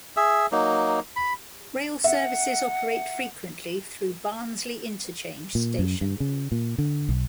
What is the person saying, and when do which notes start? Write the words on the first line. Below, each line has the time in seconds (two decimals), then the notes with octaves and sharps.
Rail services operate frequently through Barnsley Interchange station.
0.17 G#4 E5
0.52 F#3 A#3 D#4
1.16 B5
2.04 E5 F#5
5.55 A#2
5.79 F#2
6.01 G2
6.20 C#3
6.52 A#2
6.78 D3
7.09 B1